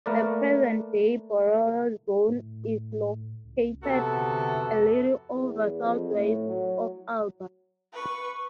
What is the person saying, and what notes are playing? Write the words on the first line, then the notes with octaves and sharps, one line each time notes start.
The present day Barolo zone is located a little over southwest of Alba.
A3 A#3 A#4 B4 D5
A2
C#2
A#1 C3 B3 F#4 A4
D3
F2
E2
F2
A2
F#3
B4 C#6